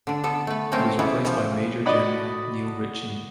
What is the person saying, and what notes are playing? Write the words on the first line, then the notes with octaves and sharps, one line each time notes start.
He was replaced by Major-General Neil Ritchie.
D3 D4
D3 B3 A4
A3 B4
F#3 A3 A#3 C4 C#4
C#3 E3 B3 E4
E3 F3
F#4 D5 D#5 F#5 B5 D#6